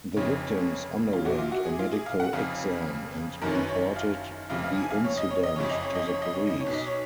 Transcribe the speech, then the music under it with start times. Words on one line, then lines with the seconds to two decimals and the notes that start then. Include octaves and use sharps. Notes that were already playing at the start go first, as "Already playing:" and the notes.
The victims underwent a medical exam and reported the incident to the police.
0.16 F1 F2 C#3 C#5
1.13 F4
1.25 A#1 A#2 F#4
1.38 F4
1.52 F#4
1.66 G#4
1.79 F4
1.93 G#4
2.06 F5
2.20 F#5
2.33 F1 F2 C#3 F5
3.42 F#1 F#2 D#3 A#4
3.51 C#5
3.55 B4
3.69 C#5
3.96 F5
4.50 F1 F2 C#3 F5
4.64 F5
4.77 G#5
4.91 F5
5.04 C#5
5.17 D#5
5.31 C#5
5.43 D#5
5.56 F#1 F2 C#3 C#5
5.69 D#5
5.83 C#5
5.95 D#5
6.08 C#5
6.22 D#5
6.34 C#5
6.47 D#5
6.60 C#5
6.66 B1 B2
6.73 D#5
6.86 C#5